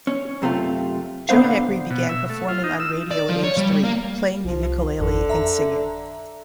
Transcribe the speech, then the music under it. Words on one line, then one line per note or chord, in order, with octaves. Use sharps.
Joe Negri began performing on radio at age three, playing the ukulele and singing.
C#4
F#2 C3 A3 F4
A#2 D3 B3 C5 F5
B2
E5
A3
F4
D#4
E6
D5
F3
C#5
G3
G3
A#3
C2 F3
G#1 F2 D3
E5 A#5